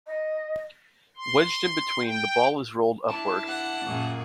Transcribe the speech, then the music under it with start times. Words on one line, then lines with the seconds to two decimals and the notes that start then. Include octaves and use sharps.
Wedged in between, the ball is rolled upward.
0.07 D#5
1.17 C6
2.02 G5
3.10 D4 E4 A5
3.47 F#5
3.85 F#2 A#2 G#4